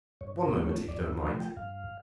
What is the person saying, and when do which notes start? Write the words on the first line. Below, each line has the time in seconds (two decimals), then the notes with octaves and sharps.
"One moment, if you don't mind."
0.21 G2 C#5
0.44 A#4
0.55 F3 A3
0.66 C#5
0.88 G2 D5
1.06 E5
1.23 F3 F5
1.26 A3
1.40 G5
1.57 G2 F5